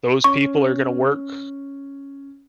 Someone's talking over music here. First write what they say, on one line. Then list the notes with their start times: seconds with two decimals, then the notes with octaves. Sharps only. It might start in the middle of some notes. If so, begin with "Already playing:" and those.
those people are gonna work
0.24 C#4 C#6